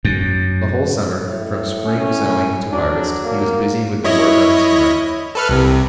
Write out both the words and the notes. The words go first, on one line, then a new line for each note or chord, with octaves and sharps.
The whole summer, from spring sowing to harvest, he was busy with the work on his farm.
F#2
A2
C#4
F#3 D4
A#3
E4 C#5 D#5
A4 B4 F6
C2 C3